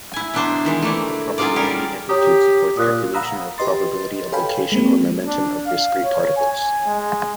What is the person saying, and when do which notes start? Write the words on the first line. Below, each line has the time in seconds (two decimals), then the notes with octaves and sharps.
The probability amplitude supports calculation of probability of location or momentum of discrete particles.
0.13 E4 G#5
0.34 B2 F#3 D4 C5
0.65 D#3 E3 G#3
0.82 A3 A#3 D4 E4
1.38 F#3 C#4 D#4 F4 D5
1.56 G3 G#4 A#4
2.09 G4 C#5 A#5 D#6
2.77 A#2 D#6 F#6
3.14 F5 F#5 A#5 B5 D#6 E6
3.58 G4 B4 D#5 C6 A6
4.32 A4 C#5 F5 G5 G#5 B5
4.72 G#3 A#3 C4
5.26 D4
5.67 F5
6.04 C#5
6.37 G#5
6.86 G#3